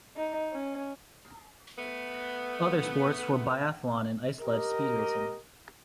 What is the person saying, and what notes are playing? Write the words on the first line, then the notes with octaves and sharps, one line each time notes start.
Other sports were biathlon and ice sledge speed racing.
D#4
C#4
A3 B3
G4 A#4 D#5